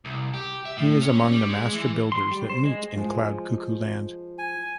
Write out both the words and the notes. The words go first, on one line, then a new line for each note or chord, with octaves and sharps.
He is among the Master Builders that meet in Cloud Cuckoo Land.
C2
G4
E5
A2
C#4
G3
G#3
E3
C6
G3
C5
G#3
F3 G#3
G#5